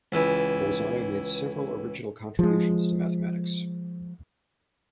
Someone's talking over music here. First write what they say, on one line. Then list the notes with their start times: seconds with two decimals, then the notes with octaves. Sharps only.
Bolzano made several original contributions to mathematics.
0.12 C#2 E3
2.39 F3 G#3